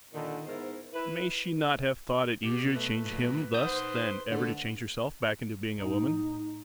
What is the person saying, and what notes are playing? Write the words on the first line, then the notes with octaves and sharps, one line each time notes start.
May she not have thought it easier to change him thus than ever to change herself back into being a woman?
A#2 D3 D#3
G#2 B3 E4 A#4 C5
E4 B4
B2 G4
A3 B4
B1 A#2
D#4 F#5 D#6 G6
C5
D3 A3
A2 D#4